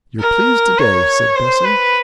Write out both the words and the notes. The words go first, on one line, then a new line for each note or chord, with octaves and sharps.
'You're pleased to-day,' said Bessie.
A#4
C#5
C5
B4